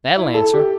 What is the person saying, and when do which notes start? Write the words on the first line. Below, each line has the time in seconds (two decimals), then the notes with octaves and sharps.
That'll answer.
0.17 E4
0.34 A4
0.53 G4